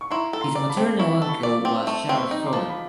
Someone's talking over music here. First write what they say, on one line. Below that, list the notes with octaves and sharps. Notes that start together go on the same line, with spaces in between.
His maternal uncle was Charles Follen.
C#6
E4 A#5 C6
A4
A#5 C6
D5
A5 B5
C4
E4 B5 C#6
A4
B5 C#6
D5
C4
A3
C4
B5 C#6
D#4
C6 D6
F3
B5